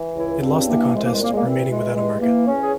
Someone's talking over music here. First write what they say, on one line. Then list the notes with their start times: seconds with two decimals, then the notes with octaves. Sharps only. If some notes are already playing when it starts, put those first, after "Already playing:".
It lost the contest, remaining without a market.
Already playing: E3
0.15 C#2 E4
0.42 G2 C4
0.67 E3 A#3
0.92 C2 G#3
1.02 A#3
1.12 G#3
1.18 A#2 A#3
1.32 G#3
1.37 A#3
1.44 E3 C4
1.69 E2 G#3
1.94 G2 G#3
2.21 E3 A#3
2.46 E2 C#4
2.59 G#4